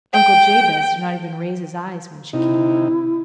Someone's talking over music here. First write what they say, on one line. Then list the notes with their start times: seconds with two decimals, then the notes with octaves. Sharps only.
Uncle Jabez did not even raise his eyes when she came in.
0.13 G5
2.33 C3 D#4 E4